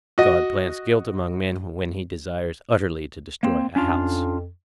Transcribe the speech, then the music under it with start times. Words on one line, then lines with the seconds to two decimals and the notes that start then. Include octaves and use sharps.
'God plants guilt among men when he desires utterly to destroy a house.'
0.18 F#4 D#5
3.43 A#3 C4
3.76 F2 C#4 D4 F4